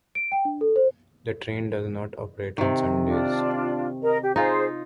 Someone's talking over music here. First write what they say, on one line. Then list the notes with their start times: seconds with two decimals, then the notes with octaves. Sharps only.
The train does not operate on Sundays.
0.15 D7
0.32 G5
0.45 D4
0.61 A4
0.76 C5
2.58 C3 D#3
3.05 D4 F4
4.02 A#4 D#5 A#5
4.22 G4
4.36 D#4 F4 G#4 C5